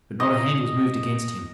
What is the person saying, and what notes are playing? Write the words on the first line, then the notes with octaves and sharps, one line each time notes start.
But not a hand was moved against him.
D#5